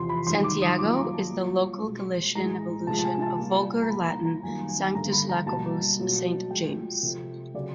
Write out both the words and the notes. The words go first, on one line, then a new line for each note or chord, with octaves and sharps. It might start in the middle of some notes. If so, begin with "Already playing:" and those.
"Santiago" is the local Galician evolution of Vulgar Latin "Sanctus Iacobus" "Saint James".
Already playing: E2 C3 F3 C6
B5
F#2 D#3 G3 C6
D6
D#6
A#2 F#3 A#3 D6
A#5
A5
A#2 G3 A#3
B2 G#3
A2 E3 G#3 A#5
C3 F3 G#3 A5
A5
G#5
A5
A#2 G3 A#3
A#5
A#2 G3 A#3 B5
A#5
A#5
F#2 D#3 G3 A#3 G#5
G#5
G2 D3 G3 A#3 A#5
B5
A#5
B2 G3 A#3 A5
B2 F#3 A#3
A#2 F3 G#3 G5
C3 F3 A3
C#3 F#3 D5